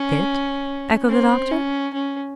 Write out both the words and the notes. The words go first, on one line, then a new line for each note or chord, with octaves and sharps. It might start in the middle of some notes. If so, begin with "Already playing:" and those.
"Fit?" echoed the doctor.
Already playing: C#4
C4
C#4
C#4